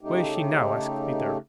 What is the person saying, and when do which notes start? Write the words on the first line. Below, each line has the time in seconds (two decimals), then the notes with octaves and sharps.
"Where is she now?" asked Peter.
0.01 C#3 A3 D#4 G4